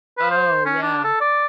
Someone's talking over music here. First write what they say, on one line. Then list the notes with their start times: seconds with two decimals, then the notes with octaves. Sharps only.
Oh, yeah.
0.17 B4
0.30 C5
0.65 C#4
0.82 D4
1.04 A4
1.21 D5